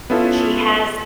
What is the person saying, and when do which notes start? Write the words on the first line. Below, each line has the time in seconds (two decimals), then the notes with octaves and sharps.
She has
0.10 B3 C#4 E4 F4 A4